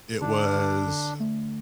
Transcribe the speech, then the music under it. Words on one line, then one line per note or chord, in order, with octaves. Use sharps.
It was
D3 D4
D3
D3
A3